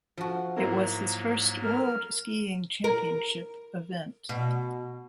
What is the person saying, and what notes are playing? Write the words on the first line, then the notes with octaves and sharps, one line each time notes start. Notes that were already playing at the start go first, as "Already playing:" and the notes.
It was his first World Skiing Championship event.
F3 F#4
G#2 F#3 A#3 E4 A#4 C5 A#5
A#4 F6
A#4
B2